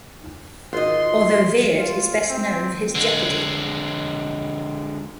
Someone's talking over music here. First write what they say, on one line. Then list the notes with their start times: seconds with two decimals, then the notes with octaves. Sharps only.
Although Vered is best known for his Jeopardy!
0.73 G#1 F4 D#5 C6
1.78 F4
2.29 C4
2.95 D3 G#3